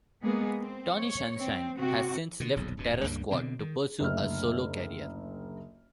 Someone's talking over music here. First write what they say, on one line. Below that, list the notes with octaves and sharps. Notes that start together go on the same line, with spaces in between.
Tony Sunshine has since left Terror Squad to pursue a solo career.
G#3 A#3 B3 G#4
C4
C#5
C4
C3 C4 F#4
B2 D3
D#1 B1 F2
D1 G2 B2
C#2 G2 G3 A#3
B2 D3 C4
D#3
F#1 D2 E5 F6